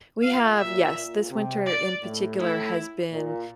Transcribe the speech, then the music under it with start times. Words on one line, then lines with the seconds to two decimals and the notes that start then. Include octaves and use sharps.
We have yes, this winter in particular has been,
0.22 A#2 F5
0.58 A#2 E5
0.94 A#2
1.30 C3
1.66 D5
2.02 A2
2.38 A2 E4
3.11 A#2